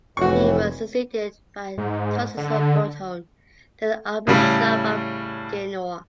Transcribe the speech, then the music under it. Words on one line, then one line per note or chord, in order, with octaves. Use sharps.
He was succeeded by Tarcisio Bertone, then Archbishop of Genoa.
F1 A2 E3 F#4 C#6
G#2
D3
A2 C#3 G3